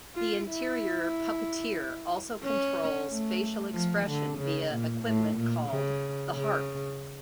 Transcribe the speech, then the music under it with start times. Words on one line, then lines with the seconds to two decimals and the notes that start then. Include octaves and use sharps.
The interior puppeteer also controls facial expression via equipment called "the harp".
0.15 F4
0.48 E4
2.43 C#4
3.08 A3
3.73 F3
4.06 D3
4.38 C#3
4.71 A#2
5.04 A2
5.36 A#2
5.69 C#3
6.34 C#3